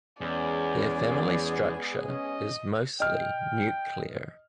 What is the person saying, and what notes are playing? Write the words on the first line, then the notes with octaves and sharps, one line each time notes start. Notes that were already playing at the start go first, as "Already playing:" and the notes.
Their family structure is mostly nuclear.
E2 G#3 B3 C#4 G#4 D5
C#4 D#5
D#5 G5 F6